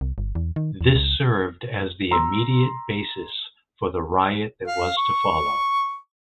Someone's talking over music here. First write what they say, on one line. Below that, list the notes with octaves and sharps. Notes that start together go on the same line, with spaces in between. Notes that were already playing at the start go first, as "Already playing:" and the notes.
This served as the immediate basis for the riot that was to follow.
C2
G1
E2
D#3
E2
C#2
A#5 C6 E6
F5
C#6